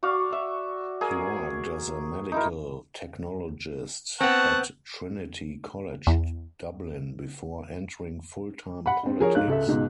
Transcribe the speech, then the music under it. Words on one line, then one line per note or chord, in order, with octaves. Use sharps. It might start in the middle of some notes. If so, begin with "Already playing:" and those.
He worked as a Medical Technologist at Trinity College, Dublin before entering full-time politics.
F#4 D5 F5 C#6
E5
G#4 A#4 G#5
D#4 E4 A#4
B3 C4 F#5 A5 C#6
E2
F#5 B5
C4 D4
F3 G#4 A#4 C#5
G#2 F5 F#6
C#2 A4 E5
C#2 G#2 B2